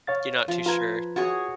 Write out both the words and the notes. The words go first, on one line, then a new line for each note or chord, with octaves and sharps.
You're not too sure.
C#5 F5 A6
F3
F4 B4 A#5 G#6
F#4 G#4 C#5